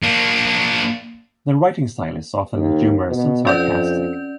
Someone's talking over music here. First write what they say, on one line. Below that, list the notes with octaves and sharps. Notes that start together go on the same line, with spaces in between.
The writing style is often humorous and sarcastic.
A#3 D4
D#2
B2
F2 C#4 D5 G6